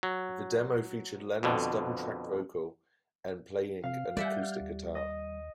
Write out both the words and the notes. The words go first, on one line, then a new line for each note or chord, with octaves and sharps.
The demo featured Lennon's double-tracked vocal and playing an acoustic guitar.
F#3
F2 B2 D3
C3 C4 F5
G3 D5 E5 F#5 G#5 G6
F6 G6
D#2
D#5